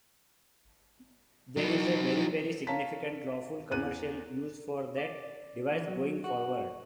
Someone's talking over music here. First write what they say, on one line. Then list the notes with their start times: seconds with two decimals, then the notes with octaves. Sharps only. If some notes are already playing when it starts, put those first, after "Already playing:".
There is a very, very significant lawful commercial use for that device, going forward.
1.57 F#3 D#4
2.67 C#5 F5 A5 A#5 B6
3.71 E2 F#6 D#7
4.98 D5
5.71 E3
5.88 F#3
6.24 F#4